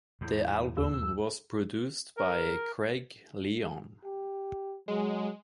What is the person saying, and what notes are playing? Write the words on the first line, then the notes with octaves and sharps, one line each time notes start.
The album was produced by Craig Leon.
E2 A2
D#2 E6
A#4
G4
F#3 G#3